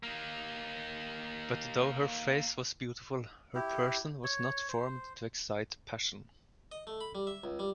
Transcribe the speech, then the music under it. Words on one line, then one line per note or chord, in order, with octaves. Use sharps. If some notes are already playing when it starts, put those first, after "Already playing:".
But though her face was beautiful, her person was not formed to excite passion.
A#3 D#4
E4 G4
C#5
C5
D#5
A3
B5
G3
E5
C#2
G3